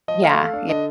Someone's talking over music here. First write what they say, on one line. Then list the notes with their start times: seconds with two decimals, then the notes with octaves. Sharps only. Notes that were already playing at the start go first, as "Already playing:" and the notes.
Yeah, ye
0.08 F3 D#5
0.23 A3 F5
0.39 A4
0.53 D4
0.69 D3 D#5